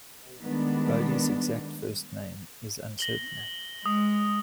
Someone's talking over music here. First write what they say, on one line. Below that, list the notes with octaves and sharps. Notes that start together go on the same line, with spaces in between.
Bodey's exact first name is uncertain.
D#3 G3 G#3 B3 D4
A#6 F#7 G7
G#3 D#6